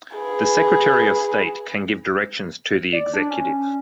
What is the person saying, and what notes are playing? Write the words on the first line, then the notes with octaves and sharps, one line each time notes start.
The Secretary of State can give directions to the Executive.
G#4 B4
D5
D4
C#4